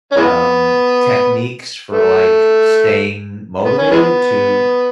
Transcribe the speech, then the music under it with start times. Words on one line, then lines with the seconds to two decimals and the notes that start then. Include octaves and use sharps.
um, techniques for, like, staying motivated to
0.12 C#4
0.16 E3 G#3 B3
1.91 A3
3.64 B3
3.78 C#4
3.91 E3 G#3 B3